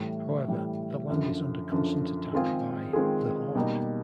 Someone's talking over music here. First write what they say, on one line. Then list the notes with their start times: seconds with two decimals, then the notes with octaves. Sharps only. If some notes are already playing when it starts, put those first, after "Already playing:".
However, the land is under constant attack by The Horde.
Already playing: A2 E3 G3
0.48 A2 E3 G3
1.09 F#2 D3 F3
1.71 F#2 D3 F3
2.33 D#3 G#3 C4 F4 G#4
2.93 D#3 G#3 C4 F4 G#4
3.55 B2 G3 A#3 D#4